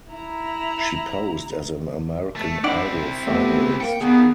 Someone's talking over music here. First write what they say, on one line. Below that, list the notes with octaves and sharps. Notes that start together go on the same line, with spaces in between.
She posed as an American Idol Finalist.
E4 A#5
A3
C4 D4 E4 D5 F#5
A3 B3 G4
A#3 G5 C#7
D#2 D#3 B3 G#4